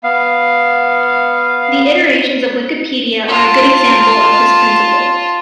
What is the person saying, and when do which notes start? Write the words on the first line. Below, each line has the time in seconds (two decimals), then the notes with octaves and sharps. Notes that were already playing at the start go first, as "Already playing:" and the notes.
The iterations of Wikipedia are a good example of this principle.
0.04 B3 F5
3.28 F4 A5